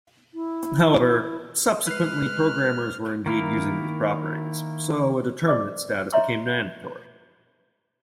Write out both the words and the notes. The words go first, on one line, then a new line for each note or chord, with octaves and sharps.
However, subsequently programmers were indeed using these properties, so a determinate status became mandatory.
E4
G#3 B4 F6 F#6 C7
D#3 A#3 E4 A#4
G#4 C5 D5 D#5 D6
C#5 D#5 E5 A#5 C6 C#6